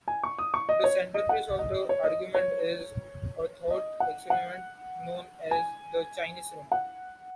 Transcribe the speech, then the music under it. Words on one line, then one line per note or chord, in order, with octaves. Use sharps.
The centerpiece of the argument is a thought experiment known as the Chinese room.
G#5
C#6
D#6
C#6
D#5
C#5
D#5
F#5
D#5
C#5
D#5
C#5
D#5
F#5
F#5
G#5
F#5